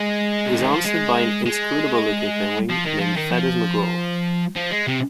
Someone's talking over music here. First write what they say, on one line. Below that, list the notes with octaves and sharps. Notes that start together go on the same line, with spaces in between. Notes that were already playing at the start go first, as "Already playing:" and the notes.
He is answered by an inscrutable looking penguin named Feathers McGraw.
Already playing: G#3
C3
D#3
F3
G#3
G#3
F3
D#3
F3
D#3
F3
F3
G#3
C3